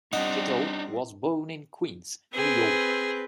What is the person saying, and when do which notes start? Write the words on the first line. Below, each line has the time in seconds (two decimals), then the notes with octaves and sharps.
Tito was born in Queens, New York.
0.13 G3 C4 D4 D#4 D#5 F#5
2.34 C4 G#4 B4